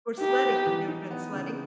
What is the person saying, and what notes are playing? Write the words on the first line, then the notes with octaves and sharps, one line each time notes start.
Or sledding. You never been sledding?
D#4 G4
B3
E3
D#4
B3
C#3